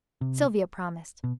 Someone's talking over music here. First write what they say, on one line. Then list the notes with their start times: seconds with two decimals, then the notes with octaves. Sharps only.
Sylvia promised.
0.21 C3
1.24 B2